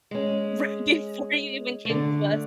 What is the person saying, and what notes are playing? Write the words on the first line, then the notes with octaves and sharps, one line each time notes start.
right before you even came to us.
G#3 C#4
D3 A3